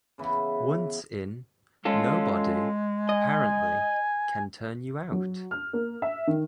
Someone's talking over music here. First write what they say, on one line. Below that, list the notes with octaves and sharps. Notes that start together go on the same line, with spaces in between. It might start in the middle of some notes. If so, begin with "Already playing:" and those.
Once in, nobody, apparently, can turn you out.
C#3 E3 B3
G#3 C#4 F4 A4
D#5 G#5
F#3
F6
A#3
E5
D#3